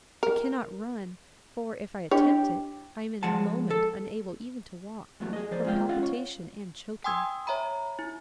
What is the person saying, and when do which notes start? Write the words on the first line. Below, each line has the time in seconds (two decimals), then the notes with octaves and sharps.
I cannot run, for, if I attempt it, I am in a moment unable even to walk--from palpitation and choking.
0.23 A#4
2.11 D4 E4 G4 C#5 D#5
3.23 F3 G#3 F#5 A5
3.70 A4
5.20 E2 G2 E3 F#3 A3
5.33 G#4 D#5
5.51 F3 C5 D5
5.64 G#3 C4 F4 D#5 F5 G5
5.89 C#4 F4 D#5 F5 F#5
6.03 C#5
7.04 G5 G#5 C6 D#6 E6 G#6
7.47 C#5 E5 A#5 B5
7.99 E4